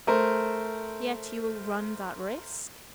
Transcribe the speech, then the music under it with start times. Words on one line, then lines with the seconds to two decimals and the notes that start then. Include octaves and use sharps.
"Yet you will run that risk?"
0.07 A3 A#4 C5